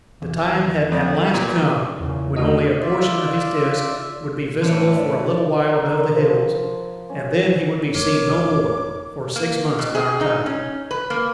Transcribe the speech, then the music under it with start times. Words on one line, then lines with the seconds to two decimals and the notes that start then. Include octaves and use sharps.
The time had at last come when only a portion of his disk would be visible for a little while above the hills, and then he would be seen no more for six months of our time.
0.22 E2
0.92 F2
1.34 A#2 B3
2.00 E2 A#2 C#3
2.37 D3 A3 D#4 F#4 D#5
2.80 F4 D5 E5
4.61 A2 D3 E3 C5 C#5 E5
4.97 D5
5.68 A#4
6.14 F3
7.10 C#4
7.95 F1 A#4 C#5 D6
9.36 A#3
9.79 B2
9.95 G#4
10.21 D#4
10.46 C#4
10.91 B4
11.10 A#3